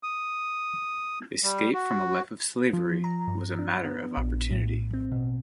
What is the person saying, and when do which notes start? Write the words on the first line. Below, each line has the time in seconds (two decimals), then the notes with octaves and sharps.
Escape from a life of slavery was a matter of opportunity.
0.03 D#6
1.43 G3
1.74 F#4
2.73 F3
3.04 A#5
3.28 G2
3.59 D4
3.85 B3
4.17 A#1
4.51 A2
4.93 C4
5.12 B2